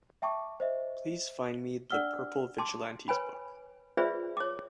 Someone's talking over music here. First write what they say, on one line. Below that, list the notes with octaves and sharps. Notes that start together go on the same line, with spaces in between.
Please find me The Purple Vigilantes book.
E5 G5 A5 C#6 D6
C5 D#5 E5
D4 D5 F#5 E6 F6 G7
A5 C6 D6
B4 C#5 G#5 B5
F4 G#4 B4 C5 D5 E5
C#5 D6